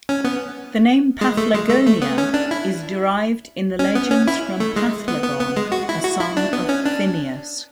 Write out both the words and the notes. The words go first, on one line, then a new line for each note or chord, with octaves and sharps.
The name "Paphlagonia" is derived in the legends from Paphlagon, a son of Phineus.
C#4
B3
G#3
A3
G#3
A3
A3
B3
C#4
D4
E4
C#4
B3
C#4
E4
A3
G#3
B3
B3
B3
G#3
F#4
E4
F#4
E4
D4
B3
C#4
D4